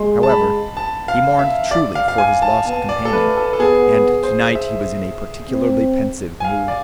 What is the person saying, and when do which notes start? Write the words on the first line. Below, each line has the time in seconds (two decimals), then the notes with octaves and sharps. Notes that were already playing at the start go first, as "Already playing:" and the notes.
However, he mourned truly for his lost companion, and to-night he was in a particularly pensive mood.
Already playing: G#3 C6
0.23 A5
0.29 B5
0.77 A5
1.08 F5
1.39 E5
1.71 D5
1.95 F5
2.08 F5
2.18 G#5
2.42 A5
2.66 B3 A5
2.89 D5
3.05 A4
3.13 A3 B4
3.37 A4
3.53 A4
3.60 B3 G#4
4.23 C5
4.55 E5
5.50 C4
6.40 G#5
6.45 F5
6.68 D5